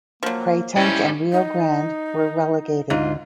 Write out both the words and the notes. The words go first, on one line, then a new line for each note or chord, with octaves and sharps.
Pratense and Rio Grande were relegated.
F3 F#3 A#3
G#2 G3 C#4 E4
D#4
D2 G#2 F4